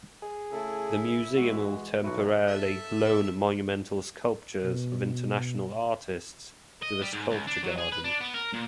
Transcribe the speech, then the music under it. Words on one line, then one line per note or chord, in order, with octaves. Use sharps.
The museum will temporarily loan monumental sculptures of international artists to the sculpture garden.
G#4
C#3 A3 E4 A4
E3 G#3 F#4
B1 E4 F#4
A4 E5
B2
D#5
G3
G#2
C#2
D4
F#3
G#4
B4
D4
B3
A#4
A#2